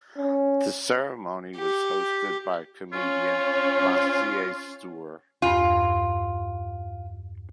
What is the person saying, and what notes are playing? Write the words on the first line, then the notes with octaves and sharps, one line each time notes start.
The ceremony was hosted by comedian Maciej Stuhr.
C#4
G4
C#4 F4 C#5
E2 G2 F4